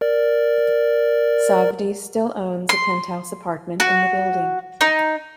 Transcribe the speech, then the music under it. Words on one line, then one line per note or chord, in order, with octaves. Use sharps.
Safdie still owns a penthouse apartment in the building.
A#4 D5
C6
F#4
D#4